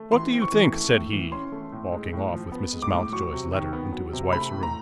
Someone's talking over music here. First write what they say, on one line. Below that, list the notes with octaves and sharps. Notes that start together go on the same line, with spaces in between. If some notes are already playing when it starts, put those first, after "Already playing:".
"What do you think?" said he, walking off with Mrs. Mountjoy's letter into his wife's room.
Already playing: A3
E3 C6
C4
C#6
E3
A3
A2
E3
C#4 C6
A3
A2
G#3
A2
F3
B3
G#3
D6
A2
F#3 C#6
C3
D#3
B3
F#3
C3
A3 B5
A2
A#5